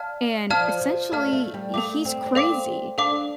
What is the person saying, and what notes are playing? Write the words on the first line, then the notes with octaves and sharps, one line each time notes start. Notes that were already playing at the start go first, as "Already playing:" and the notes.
and essentially, he's crazy,
Already playing: D5 F5 A5 F6
F3 D5 F5 A5 F6
F3
A3 D5 F5 A5 F6
A3
G3
A3 A4 F5 D6
C4
D4
C4 A4 F5 D6
D4 A4 F5 D6